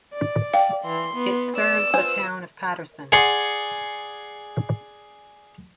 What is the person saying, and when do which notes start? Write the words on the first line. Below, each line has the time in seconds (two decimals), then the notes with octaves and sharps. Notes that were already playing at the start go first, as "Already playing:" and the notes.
It serves the town of Paterson.
0.14 D5
0.54 F5 G5
0.85 E3 C6
1.14 B3
1.57 D5 E6
1.94 F4 B4 C5 G#5
3.12 G#4 D5 F#5 C6